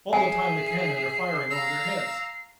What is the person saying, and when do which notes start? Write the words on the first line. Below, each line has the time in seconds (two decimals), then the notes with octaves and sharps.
All the time the cannon are firing over their heads.
0.13 G#4 E5 G#5 C7
1.51 F5 A#5 E6